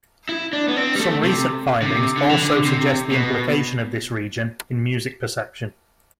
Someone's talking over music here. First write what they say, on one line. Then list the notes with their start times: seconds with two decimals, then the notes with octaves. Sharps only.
Some recent findings also suggest the implication of this region in music perception.
0.29 E4
0.53 D4
0.68 B3
0.76 C4
0.95 G3
1.00 A3
1.23 C3
1.82 D3
1.86 C3
2.17 D3
2.29 E3
2.42 D3
2.65 C3
3.11 B2